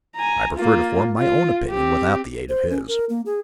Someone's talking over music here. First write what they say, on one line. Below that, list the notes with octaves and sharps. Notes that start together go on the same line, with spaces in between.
"I prefer to form my own opinion, without the aid of his."
G#5 A#5
A#3 F4
F4
C4 G4
C5
C#4
A#4
A#3
G#4